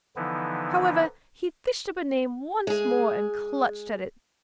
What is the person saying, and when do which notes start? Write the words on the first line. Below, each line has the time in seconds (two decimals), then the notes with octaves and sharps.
However, he fished up a name once more, and clutched at it.
0.16 D3 E3 F3 B3 D#4 E4
2.67 G#3 G#4